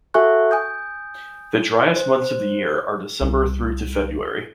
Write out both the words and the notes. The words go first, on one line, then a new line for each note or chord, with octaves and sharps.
The driest months of the year are December through to February.
F#4 A4 E5 G#5 C#6 F#6
G#5 D#6 G6
C5
C2